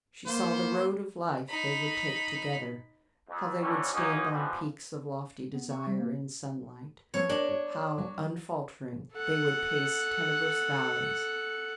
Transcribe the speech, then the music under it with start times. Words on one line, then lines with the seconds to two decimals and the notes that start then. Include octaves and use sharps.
She saw the road of life they would take together; how they would stand on peaks of lofty desire, in sunlight; how, unfaltering, they would pace tenebrous valleys.
0.24 A#3 B3 C5
1.50 D#4 B5
3.29 F2
3.61 D3 E3 F3 G3 C#4
3.92 F#3 G#3 A#3 C#4 D#4
4.30 B2 E3 F3 G3 G#3 B3
5.54 B3
5.70 C#6
5.87 G3
6.00 A#3
7.14 F3 B3 C4 C#5
7.29 D4 A#4
7.49 C#5
7.98 F#3
9.13 A4 F#5